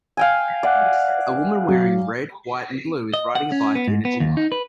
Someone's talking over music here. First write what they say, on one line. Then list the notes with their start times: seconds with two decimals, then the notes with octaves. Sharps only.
A woman wearing red, white, and blue, is riding a bike in a gym.
0.17 F5 G5 G#5
0.63 D5 E5 F#5 F#6
1.68 F#3
3.14 D#5
3.35 F#5
3.52 C#4
3.75 B3
3.88 G#2
4.05 B3
4.20 D#2
4.37 D#4
4.52 B4